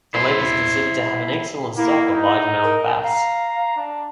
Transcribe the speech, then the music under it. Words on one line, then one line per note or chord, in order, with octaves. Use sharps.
The lake is considered to have an excellent stock of largemouth bass.
E4 C5
A#3 E4
D#4
A#4
F5 A#5
D4